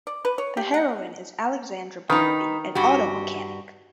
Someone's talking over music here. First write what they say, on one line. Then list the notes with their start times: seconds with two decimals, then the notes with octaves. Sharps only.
The heroine is Alexandra Barnaby, an auto mechanic.
0.07 D5
0.25 B4
0.38 C#5
0.57 G4
0.74 F#5
2.10 D#3 D#4 B4
2.75 G2 F#4 G4